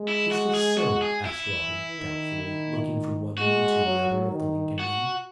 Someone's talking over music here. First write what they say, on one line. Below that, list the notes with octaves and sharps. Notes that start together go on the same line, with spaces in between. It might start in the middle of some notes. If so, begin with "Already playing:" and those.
"Is this so?" asked Robin, doubtfully, looking from one to the other of the Lincoln men.
Already playing: G#3
E4
F#4
G#4
F#4
G#4
E4
E3
D#3
D#3
G#3 F#4
F#3
D#3
F#4